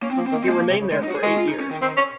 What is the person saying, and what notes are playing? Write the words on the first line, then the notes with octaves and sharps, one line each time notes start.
He remained there for eight years.
A#3 C#4
C4
F3 A#3
C4
D#3 A#3
C4
G#3
A#3
F3
C3
C#3
D#3 G#3
D#4
F#3
F#4
G#4
G#3 F#4
F4
D#4
C#4
D#3
D#3 C4
C#4